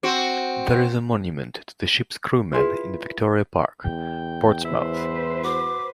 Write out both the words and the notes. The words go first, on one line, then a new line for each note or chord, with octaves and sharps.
There is a monument to the ship's crew men in Victoria Park, Portsmouth.
C4 F#4
E4 F4 G#4 B4
E2 G5
E4 B4 C5
F#4 D6